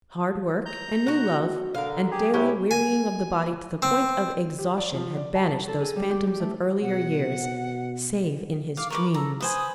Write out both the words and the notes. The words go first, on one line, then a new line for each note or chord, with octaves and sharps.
Hard work and new love and daily wearying of the body to the point of exhaustion had banished those phantoms of earlier years, save in his dreams.
A#5 G6
F#4 F#5
D3 A#4 F5
G4 G#4
C3 G#3 E4 G4 C#5
G#5
C4
G4
D5
F3
D5
A5
A5
A4
G#4
G3
G4
G4
A3
B2 F#5
F5 D6
A#4 B4 C#6 D6
A4 A#5
B4 C5 G#5 D#6